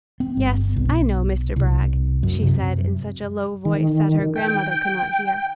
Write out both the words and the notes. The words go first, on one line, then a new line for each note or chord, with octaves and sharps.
"Yes, I know, Mr. Brag," she said, in such a low voice that her grandmother could not hear.
C4
G1
B1
C2
F#2
C3
F#2
D#3
G5